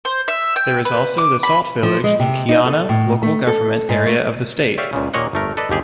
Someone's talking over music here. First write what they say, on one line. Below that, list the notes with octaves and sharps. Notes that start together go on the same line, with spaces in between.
There is also the Salt Village in Keana Local Government Area of the State.
C5
E5
G5
B4
D6
B5
F3
G#3
C3
D#4
A4
A2
A3
A4
G#2
A3
G4 C#5 D5 E5 F5
C#2 A#2 C#3
D#2 A#2 A#3 C#5 D#5 F#5
G1 A3 A#4
A4 B4 D5 D#5
G1 D#2 G4 G#4